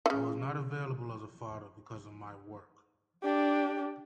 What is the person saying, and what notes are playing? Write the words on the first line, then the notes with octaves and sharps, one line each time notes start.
I was not available as a father because of my work.
C#3 E3
D4 G4